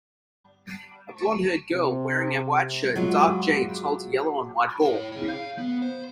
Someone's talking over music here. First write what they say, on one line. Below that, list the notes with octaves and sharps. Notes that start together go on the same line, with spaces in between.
A blondhaired girl wearing a white shirt and dark jeans holds a yellow and white ball.
C3
F#3 G#3 F4
E4 C#5
G#4 C#5
F5
B3
C5